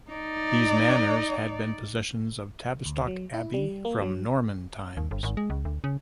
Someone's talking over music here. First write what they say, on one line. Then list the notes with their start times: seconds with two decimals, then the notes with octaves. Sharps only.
These manors had been possessions of Tavistock Abbey from Norman times.
0.11 D#4 D5
2.86 D2
3.07 F#3
3.34 E4
3.54 G3
3.85 A#3
4.02 F#3
4.97 D#2
5.11 G1
5.23 G#1
5.37 G#3
5.50 C#2
5.65 D2
5.84 C#3